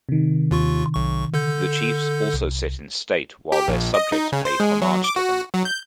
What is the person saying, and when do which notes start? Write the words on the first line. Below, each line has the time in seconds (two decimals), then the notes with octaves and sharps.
The chiefs also sit in state while their subjects pay homage to them.
0.09 C3 D#3
0.51 D#2 F4 C#6
0.93 B1 C#6
1.34 D3 A4 G6
2.33 C2
3.52 G4
3.68 A#1
3.94 D#5
4.12 D#4
4.32 C#3
4.45 C5
4.60 G#3
4.82 F#3
5.04 D6
5.16 F#4
5.54 F#3
5.65 G6